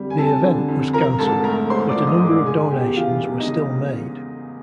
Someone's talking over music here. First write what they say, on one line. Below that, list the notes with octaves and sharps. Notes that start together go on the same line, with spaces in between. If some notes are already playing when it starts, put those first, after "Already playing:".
The event was cancelled, but a number of donations were still made.
Already playing: F2 D3 G3
G#5
F2 A4 A5
D3
F2
F3 A#4 A#5
G#2 A4 A5
A3 A#4 A#5
G#2 C5 C6
D5 D6
F3
D#5 D#6
G#2
D5 D6
C#3 G#4 G#5
E2 G4 G5
E3 F4 F5
E2
D#4 D#5
C#3